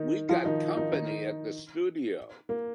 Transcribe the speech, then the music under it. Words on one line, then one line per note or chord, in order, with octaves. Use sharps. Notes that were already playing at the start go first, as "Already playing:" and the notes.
We got company at the studio!
Already playing: D#3 D#4
F3 F4
D#3 D#4
D#3 D#4
D#3 D#4
A#3